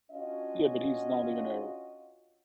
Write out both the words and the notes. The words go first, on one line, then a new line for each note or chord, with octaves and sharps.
Yeah, but he's not even a
C#4 D4 F4 F#4 D#5 F5